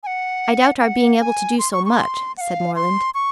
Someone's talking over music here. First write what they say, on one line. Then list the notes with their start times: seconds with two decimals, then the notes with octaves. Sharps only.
"I doubt our being able to do so much," said Morland.
0.03 G#5
0.07 F#5
0.81 G#5
0.85 F#5
1.20 G#5
1.59 C6
1.73 C#6
1.85 C#6
1.89 C6
2.37 F#5
2.41 F5
2.75 C6
3.14 C#6